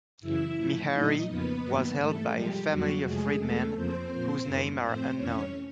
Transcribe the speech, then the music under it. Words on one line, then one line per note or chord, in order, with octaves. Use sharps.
Meharry was helped by a family of freedmen, whose names are unknown.
F#2 C#3 E3 E4 E5
A2 F3 A3
A#2 F#3 A3 D#4 D#5
F2 C#3 F3 A#3 B3 B4
G2 D#3 F#3 A#3
G#2 E3 G3 A3 A4
C3 F3 G3 G#3 G4
F2 D3 F#3 G3 A#3 F#4
F2 C3 F3 G#3 A3 G#4
E2 B2 G#3 A3 A4
F2 C#3 F3 A#3 C4 C5
A#2 F3 A#3
F#2 D#3 G3 A#3
A2 F3 A3 C4 C5
F2 C3 E3 A3 C#4 C#5